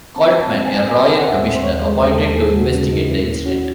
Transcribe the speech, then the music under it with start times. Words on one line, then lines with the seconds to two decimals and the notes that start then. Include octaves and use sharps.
Coltman, a Royal Commissioner appointed to investigate the incident.
0.16 C4 A5
0.35 C4
0.41 A5
0.53 C4
0.65 G#5
0.71 C4
0.89 C4 G#5
1.08 C4
1.18 F#5
1.26 D#2 E5
1.44 C4
1.55 C5
1.62 D#2 C#5
1.81 G#3
1.87 C5
1.99 D#2
2.11 A4
2.18 D#2
2.36 D#2 G#4
2.55 C#3 F#4
2.72 C#3 C#4
2.91 D#2 D#4
3.09 C#4 E4
3.27 D#2
3.45 C#4 F#4